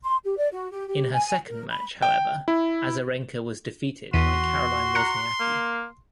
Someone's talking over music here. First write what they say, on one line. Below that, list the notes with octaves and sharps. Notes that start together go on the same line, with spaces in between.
In her second match, however, Azarenka was defeated by Caroline Wozniacki.
C6
G4
D5
F#4
G4
G4
G#5
A#4
B5
G5
E4
E2 F#4 C6 B6 D#7
A#5 F#6 C#7
A#3